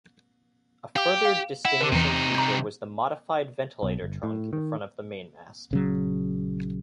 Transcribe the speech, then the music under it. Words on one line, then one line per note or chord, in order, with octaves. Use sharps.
A further distinguishing feature was the modified ventilator trunk in front of the mainmast.
G4 F5 D6
F5
E4 F#5
D3 A#4
E2 C3 E3 D#4
A#5 G6
B1
G1
A2
D#3
A#1 C#3 F#3